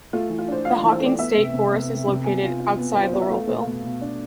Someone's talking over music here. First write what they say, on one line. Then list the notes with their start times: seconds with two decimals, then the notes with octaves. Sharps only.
The Hocking State Forest is located outside Laurelville.
0.13 A3 F4
0.30 E3
0.38 F4
0.48 D4 C5
0.65 F4 F5
0.83 E3
0.92 C5
1.00 A3 D5
1.19 B3 E5
1.37 C3
1.54 C3
1.72 B3
1.89 C3
2.07 C3
2.24 B3 G#5
2.42 F4
2.60 F4
2.77 B3
2.94 F4 B4
3.03 C5
3.12 B3 D5
3.21 E5
3.30 A3 F5
3.48 A3
3.65 B2
3.84 B2
4.01 D4